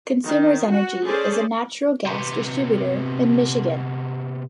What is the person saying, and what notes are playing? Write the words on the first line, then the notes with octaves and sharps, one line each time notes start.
Consumers Energy is a natural gas distributor in Michigan.
D#3
F#4
C#4 G#4 A4 C5 D5
C3 B3